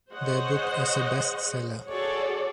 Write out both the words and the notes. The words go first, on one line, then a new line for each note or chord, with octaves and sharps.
Their book is a best seller.
G#4 C5 C#5 D#5 F#5
F#4 G#4 A4 C#5 D5